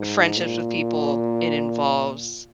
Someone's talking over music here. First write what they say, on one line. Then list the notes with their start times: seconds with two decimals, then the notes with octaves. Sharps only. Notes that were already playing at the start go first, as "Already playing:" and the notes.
friendships with people. It involves
Already playing: G#2
0.37 A#2